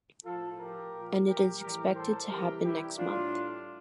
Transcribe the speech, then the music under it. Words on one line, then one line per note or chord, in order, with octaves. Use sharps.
And it is expected to happen next month.
A2 F3 F4 A4
G4 A#4
A#2 F3
G4 A#4
A2 E3 G3 G4 A#4
A4 C5
C3 E3 G3 G4 A#4
E4 G4
A2 G3 D4 F4